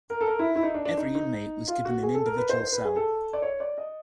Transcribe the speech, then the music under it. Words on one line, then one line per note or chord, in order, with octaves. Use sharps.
Every inmate was given an individual cell.
A#4
A4
A#4
E4
E4
D#4
D4
D4
D#4
D#4
F4
F#4
G#4
A4
A#4
B4
C5
C5
B4
G#4
A4
D5
C#5
D5
D#5